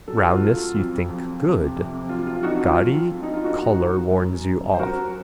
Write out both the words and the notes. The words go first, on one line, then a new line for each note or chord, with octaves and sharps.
Roundness you think good. Gaudy colour warns you off.
F#3 A4
F#4
F4 A4
F#3
F2
F2
C3
F2
F#3 F4
F4
F2 D#4 F#4
F4
F#3
F#3
D#4
F4
F#2 D#4 F#4
F#3
F#2
F#2
C5
F#2 F#4 A#4